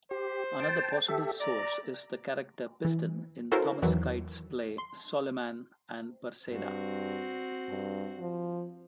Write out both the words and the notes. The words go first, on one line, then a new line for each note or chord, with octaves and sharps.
Another possible source is the character Piston in Thomas Kyd's play "Soliman and Perseda".
G4 C5
G5 A5
G4 A4 E5
D5 A#5
E3
C#4 E4 F#4 A4 A#4 C5
E2 D#3 E3 F#3
C6
G2 C4 F#4
G2
F3